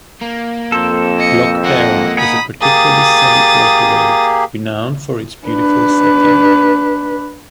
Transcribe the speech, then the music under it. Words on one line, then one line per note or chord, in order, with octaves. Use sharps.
Lough Erne is a particularly scenic waterway, renowned for its beautiful setting.
A#3
F2 A4 C5
D#5 C#7
A#3 D#5 F#5
D#4 G#4 F#5 B5 D#6
A#3 G4 G#4 D#6 A6
D4 B4